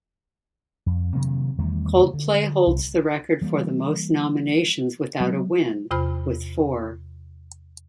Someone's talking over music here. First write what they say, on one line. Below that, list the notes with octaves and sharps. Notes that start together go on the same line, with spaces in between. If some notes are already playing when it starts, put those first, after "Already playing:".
Coldplay holds the record for the most nominations without a win, with four.
F2
C3 D#3 F#3 A#3
E2 D#3 G3 A3
C#3 A#3
D3
C2
E3 G3 A3 A#3
F#3 G#3 C4
E2 C3 F4 C5 B5 F6